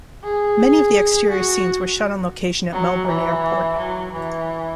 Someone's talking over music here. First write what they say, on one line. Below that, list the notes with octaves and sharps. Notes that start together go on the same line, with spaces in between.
Many of the exterior scenes were shot on location at Melbourne Airport.
G#4
F#4
F#3
E3
F#3
E3